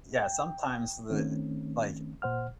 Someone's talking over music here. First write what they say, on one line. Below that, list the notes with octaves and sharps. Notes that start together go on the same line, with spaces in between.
Yeah, sometimes the like,
G5
D#3 A3 C4 C#4
A#2 C5 F#5 F6